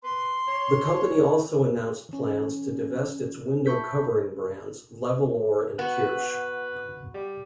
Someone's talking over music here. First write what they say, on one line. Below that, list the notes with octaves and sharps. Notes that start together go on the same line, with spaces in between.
The company also announced plans to divest its window covering brands Levolor and Kirsch.
B4 C6
C#5
E3 C#4
E5 A5 B5 C#6 G6 B6
B3 F#4 B4
G3